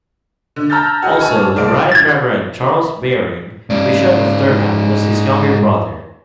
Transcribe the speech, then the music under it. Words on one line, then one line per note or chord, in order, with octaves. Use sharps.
Also, the Right Reverend Charles Baring, Bishop of Durham, was his younger brother.
D3
A5 A#5 E6 F6 G6 A6
F#4 G#4 D#5 F6
G#5 A5 C#6
A5
C2 D5 F5 A5 D7
G#6 A6
G#2 D5